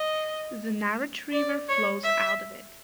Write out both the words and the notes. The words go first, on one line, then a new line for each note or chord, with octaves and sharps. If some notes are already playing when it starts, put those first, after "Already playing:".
The Narach River flows out of it.
Already playing: D#5
D5
C#5
E5